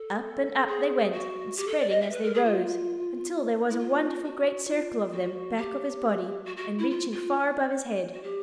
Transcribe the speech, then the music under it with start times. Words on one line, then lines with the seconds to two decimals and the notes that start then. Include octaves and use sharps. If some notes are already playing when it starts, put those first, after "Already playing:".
Up and up they went, and spreading as they rose, until there was a wonderful great circle of them back of his body and reaching far above his head.
Already playing: A4
0.67 G#4
1.12 F#4
1.56 G4
1.67 A4
1.78 D5
1.90 D#5
2.01 E5
2.12 B4
2.23 A#4
2.34 G#4
2.45 F4
3.70 E4
3.78 F4
4.23 F#4
4.67 F4
5.12 F#4
5.56 G4
6.45 F#4
6.57 F#4
6.79 E4
6.90 F4
7.12 F4
8.13 F#4
8.23 G4